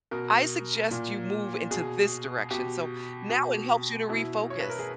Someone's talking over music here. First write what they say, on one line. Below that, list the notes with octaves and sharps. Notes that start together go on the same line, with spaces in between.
I suggest you move into this direction." So now it helps you to refocus.
B2 A#4
A#2
B2 G#4
B2 G4
B2
B2 E4
C#5
B4
A#4
G#4